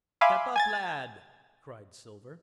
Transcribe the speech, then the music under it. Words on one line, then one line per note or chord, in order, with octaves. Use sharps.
"Step up, lad," cried Silver.
E5 F5 G#5 B5 C6 D6
G#5 G#6 A6